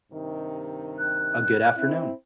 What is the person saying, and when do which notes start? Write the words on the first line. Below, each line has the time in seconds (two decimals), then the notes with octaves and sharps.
a good afternoon.
0.11 G2 C3 D#3
0.98 F#6
1.76 C4 E4